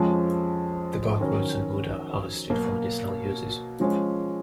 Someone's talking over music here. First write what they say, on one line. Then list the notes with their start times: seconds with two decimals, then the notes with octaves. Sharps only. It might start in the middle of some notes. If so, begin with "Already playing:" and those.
The bark, roots and wood are harvested for medicinal uses.
Already playing: F2 F3 G#3 C#4
1.20 D#3 F#3 C#4 F#4 A#4
2.50 B2 F#3 A#3
3.80 F3 G#3 C#4